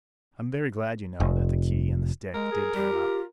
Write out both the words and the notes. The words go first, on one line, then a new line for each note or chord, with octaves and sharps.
I'm very glad, you know, that the key and the stick did turn up.
F1
G#3 A#4
G#4
G3 G4
F4